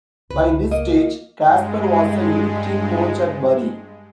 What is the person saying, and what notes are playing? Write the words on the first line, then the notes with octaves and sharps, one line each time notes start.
By this stage, Casper was a youth team coach at Bury.
F#1 C#2 B4
A#3 D#5
G2 G#3